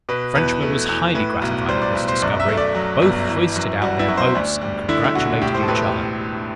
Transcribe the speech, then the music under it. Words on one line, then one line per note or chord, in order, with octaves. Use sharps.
The Frenchman was highly gratified at this discovery; both hoisted out their boats, and congratulated each other.
B2 B4
E2 B4
A3
E2
A2 B4
B1
G3 C5
D5
B1
C5
F#2 D5
E5
A3
D5
F#3
G1
E3
F#2
G3 F#4
E4
F#2
C5
D2 D4
G3
D3 E4
E4
E1 F#4
A2 G4
C5
A4
A1 B4
G4